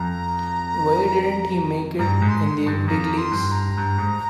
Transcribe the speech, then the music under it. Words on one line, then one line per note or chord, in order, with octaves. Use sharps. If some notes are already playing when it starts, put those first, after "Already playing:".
Why didn't he make it in the big leagues?
Already playing: F2 A#5
G2 A#5
G#2
C6
G2
F2 A#5
C6
G2
C6
A#5
G2
G#2